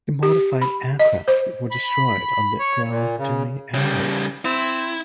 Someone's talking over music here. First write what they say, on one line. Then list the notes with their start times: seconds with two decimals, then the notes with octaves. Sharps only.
The modified aircraft were destroyed on the ground during air raids.
0.23 G4
0.62 B5
0.99 D#5
1.28 C5
1.71 B5
2.59 C#5
2.88 A#2
3.18 C#3
3.75 C#3 G3
4.45 C4 E4